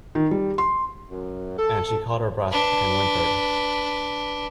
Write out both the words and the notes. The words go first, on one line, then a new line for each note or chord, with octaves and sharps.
And she caught her breath and whimpered.
D#3
G3
C6
F#2
A4
D4 B4